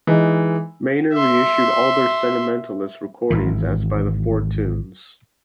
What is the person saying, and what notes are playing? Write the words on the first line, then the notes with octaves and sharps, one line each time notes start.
Manor reissued all their Sentimentalists recordings as by the Four Tunes.
E3 G#3 D#4
E5 C6
G#1 C#2 E3